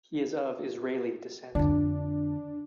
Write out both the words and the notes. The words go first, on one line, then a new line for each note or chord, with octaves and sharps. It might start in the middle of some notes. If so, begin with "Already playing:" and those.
He is of Israeli descent.
F2 D3 D4